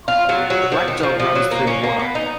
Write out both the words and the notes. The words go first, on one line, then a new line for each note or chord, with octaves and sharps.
A black dog runs through the water.
F4
F#3
F#3
F3
D#3
F3
F3
F#3
A#3
C#4
A#3
B3
D#4